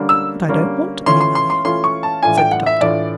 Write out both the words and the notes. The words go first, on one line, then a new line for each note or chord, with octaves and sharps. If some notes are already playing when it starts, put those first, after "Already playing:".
"But I don't want any money," said the Doctor.
Already playing: D3 G3 A#3 C#4
E6
D3 G3 A#3 C#4
E3 A3 C#4 F4 C6
C6
C6
C6
E3 A3 C#4 F4 C6
C#6
A5
A2 E3 A3 D4 F4 G#5
G5
F#5
E5
A2 E3 A3 D4 F4 D5